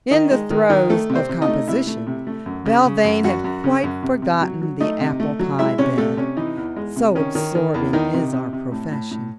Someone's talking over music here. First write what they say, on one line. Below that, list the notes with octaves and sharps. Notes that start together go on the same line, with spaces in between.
In the throes of composition Belvane had quite forgotten the apple-pie bed, so absorbing is our profession.
D#3 D#4 D#5
G#3
D#3
D#3
A3 A4
C3
C4 C5
C3
D#4 D#5
A3
C3 E4 E5
A3
C3
A3
F#2
C#3
C#3
F#2
F#2 F#4 F#5
F#2
C#3
F#2
C3
C3
F#3
F#3
A3 D#4 D#5
C3
A3
F#3
G#3 E4 E5
C3 C#4 C#5
C3 A3 A4
C3 C#4
E3 D#4
E2
G#3
C3
D#3 C#4
D#3
D#3
E2
D#3 D#4
C3
C3
C3
A2
A2
A2